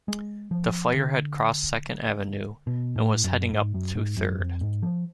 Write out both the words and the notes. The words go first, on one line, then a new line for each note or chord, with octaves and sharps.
The fire had crossed Second Avenue, and was heading up to Third.
G#3
F3
D3
B2
A2
F#2
G#2
F#2
G#2
F#2
F2
G#2
F3